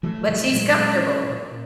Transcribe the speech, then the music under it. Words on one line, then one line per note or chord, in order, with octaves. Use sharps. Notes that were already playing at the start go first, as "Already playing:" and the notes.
But, she's comfortable.
E3 F#3 A3
A#2 F3 G3
A#2 F#3 G#3
C#4
A#2
A#2